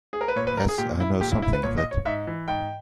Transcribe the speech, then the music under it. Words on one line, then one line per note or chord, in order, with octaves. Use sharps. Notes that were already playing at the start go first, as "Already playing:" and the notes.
Yes, I know something of it.
G#4
A#4
B4
A#2 C#5
B4
A#4
G#4
A#2 G4
E4
A#2 G4
E4
E4
B4
A#2 C#5
D#5
C#5
G#2 E5
E3
G#2 G5